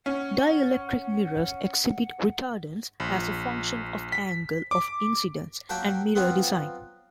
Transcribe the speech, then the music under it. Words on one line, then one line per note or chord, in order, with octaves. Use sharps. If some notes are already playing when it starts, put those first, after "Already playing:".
Dielectric mirrors exhibit retardance as a function of angle of incidence and mirror design.
C#4 F#5
A#1
B6
D6
F#3 A#3 F#4 G4 G5 A5
F#3 B3 C4 F4 F#4